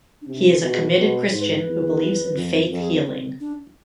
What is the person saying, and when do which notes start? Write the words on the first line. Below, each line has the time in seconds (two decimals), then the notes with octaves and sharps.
He is a committed Christian who believes in faith healing.
0.22 D4
0.28 C3 C4
0.36 D4
0.45 F4
0.54 A4
0.62 B2 F4
0.73 G#4
0.82 A4
0.89 B4
0.97 B2 C5
1.31 G#2 C5
1.41 B4
1.50 A4
1.59 B4
1.67 E2
2.35 F2
2.70 F2 A4
2.81 G#4
2.94 B3
3.06 C4
3.40 D4